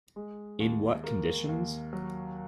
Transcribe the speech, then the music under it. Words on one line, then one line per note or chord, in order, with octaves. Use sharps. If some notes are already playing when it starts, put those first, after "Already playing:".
In what conditions?
G#3
D#2
A#3
D#2
F#3